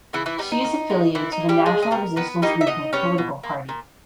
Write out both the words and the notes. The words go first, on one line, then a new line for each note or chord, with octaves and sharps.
She is affiliated to the National Resistance Movement political party.
C#3 E3 E4
E3 E4
G3 B3 D#4
D#4
D#3
G#3 B3
A#2 E3 E4
D#4
A#3
G3 G4
A#2 G#3 G#4
G#4
G3 A#3 B3 A#4
D#3 B3 B4
G3 A#3 D#4 D#5
E5
B2 D#4 D#5
G3 B3 C#4 C#5
B2
A#3
A#2